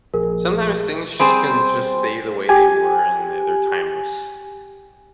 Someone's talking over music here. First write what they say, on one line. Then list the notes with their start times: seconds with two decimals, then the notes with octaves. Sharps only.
Sometimes things sh can just stay the way they were and th they're timeless,
0.14 A#1 G#4 A#4
1.20 G3 C4 G#4 C5
2.49 G4 G#5